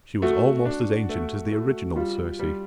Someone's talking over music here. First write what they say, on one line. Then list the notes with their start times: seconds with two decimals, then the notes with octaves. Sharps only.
She was almost as ancient as the original Circe.
0.22 A3 F#4
0.66 D4
1.09 A3
1.52 A3
1.96 G3 F4
2.39 G3